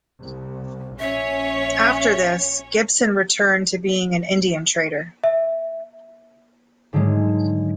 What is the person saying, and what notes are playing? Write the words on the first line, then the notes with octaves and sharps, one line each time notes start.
After this Gibson returned to being an Indian trader.
C2
A#1 C#4 C#5 E5
E5
G#2 D3 D#3 F#3 G#3 A3